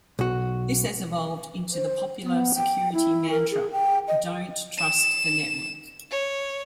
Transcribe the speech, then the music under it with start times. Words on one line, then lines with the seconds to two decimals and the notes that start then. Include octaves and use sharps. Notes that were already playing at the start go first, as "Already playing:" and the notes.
This has evolved into the popular security mantra, Don't trust the network.
0.19 B1 F#4
1.73 C5
2.23 B3
2.55 G5
2.93 E4
3.31 A#4
3.51 G#4
3.72 G5
4.08 D#5
4.78 E7
6.11 C#5